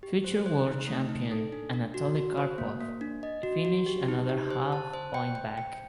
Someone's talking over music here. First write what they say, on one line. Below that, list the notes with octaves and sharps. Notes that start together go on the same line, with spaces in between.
Future world champion Anatoly Karpov finished another half point back.
G4
C5
C5
D#4
A3
D#4
A4
D4
D4
F#4
F#4
C5
A#3
A#3
D4
D#5
F#4
F#4
G4
D#4
G4
C5
A5
C5
G5
G5
G5